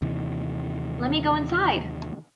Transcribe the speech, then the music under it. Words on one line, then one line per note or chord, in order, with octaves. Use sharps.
Lemme go inside!
D#2 C3 D#3 E3